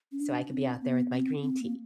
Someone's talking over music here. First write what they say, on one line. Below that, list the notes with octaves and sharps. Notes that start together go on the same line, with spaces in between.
with, so I could be out there with my green tea.
C#4
D4
C4
B3
C4
C4
A#3